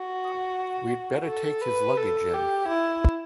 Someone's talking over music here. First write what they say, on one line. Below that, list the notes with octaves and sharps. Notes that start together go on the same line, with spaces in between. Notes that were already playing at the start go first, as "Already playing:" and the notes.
We'd better take his luggage in.
Already playing: F#4
A4
B4
A4
G4
E4